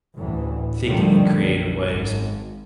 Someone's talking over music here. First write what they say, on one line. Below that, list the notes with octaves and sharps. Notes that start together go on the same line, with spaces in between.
thinking in creative ways.
A1 D2 A2 E3
A#2 D3 D#3 F3 G3 A3
B1
G#1